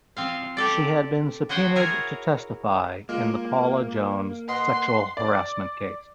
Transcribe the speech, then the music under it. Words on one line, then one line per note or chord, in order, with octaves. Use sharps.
She had been subpoenaed to testify in the Paula Jones sexual harassment case.
F3 C4 F5
G4 A4 D5
F#4 G#4 C5 F#5 G5
E4 G#4 A#4 C#5
G#3 A#3 F4 D6
B4 D#5 F#5 C6
D5